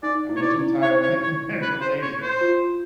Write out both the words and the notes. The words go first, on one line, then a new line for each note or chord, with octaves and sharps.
I mentioned Thailand and Malaysia.
D#4 D5
E4
C#5
D5
E4
C#5
C#5
C#5
B4
C5
C#5
C5
F4